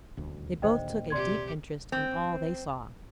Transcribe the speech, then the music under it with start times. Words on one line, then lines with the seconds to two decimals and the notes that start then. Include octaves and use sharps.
They both took a deep interest in all they saw.
0.17 D#1 D2
0.62 D#2 A#2 D3 C5 D#5 G5
1.10 C3 G4 D5 C6 G#6
1.92 C4